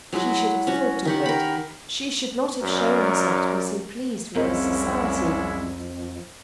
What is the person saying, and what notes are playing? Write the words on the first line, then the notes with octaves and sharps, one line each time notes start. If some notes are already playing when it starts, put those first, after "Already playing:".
She should have thought of it; she should not have shown herself to be so pleased with his society.
F#3 G#3 E4 F#4
C#4 F#4
D#3 G4 F#5
A#4 B5
F#2 A#4 D5
C2 F2 G#3 C4 C#4 E4 A#4 D#5